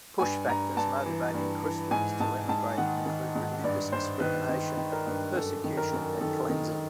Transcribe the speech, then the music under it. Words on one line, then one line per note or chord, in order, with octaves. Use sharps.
Push factors motivating Christians to emigrate include religious discrimination, persecution, and cleansing.
G2 G#5
G2 A#5
G2 A5
E3
G2
E3
G#2 G#5
G#2 A5
G#2 A5
D#3 F#5
D#3
G#2
G2 D5
G2 C5
D#3 B4
D#3
D#3
A#4
G2
F#2 A4
D#3
A#4
F#2
D#3 A4
D#3